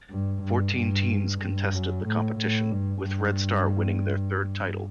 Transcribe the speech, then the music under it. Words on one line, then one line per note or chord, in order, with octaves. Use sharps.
Fourteen teams contested the competition, with Red Star winning their third title.
G2
G2
G2
G2
F#2
A2
A2
G2
G2